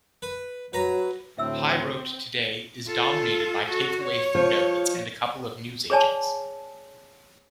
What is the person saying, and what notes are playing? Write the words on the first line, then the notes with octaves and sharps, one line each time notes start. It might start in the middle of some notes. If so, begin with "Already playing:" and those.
High Road today is dominated by take-away food outlets and a couple of newsagents.
B4
F#3 B4 A#5
D2 A2 C4 E5 E6
F4 A4
F#4 A4
C#5
F3
G#4 B4 C#5 D5 G#5 A5